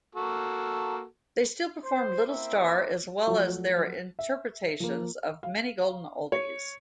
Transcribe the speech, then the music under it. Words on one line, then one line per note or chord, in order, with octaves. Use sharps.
They still perform "Little Star", as well as their interpretations of many golden oldies.
A#3 F#4 A4
C5
A#3 C4 E4 E5
F3 F#3 A3
E5
F3 A#3
F5
C#5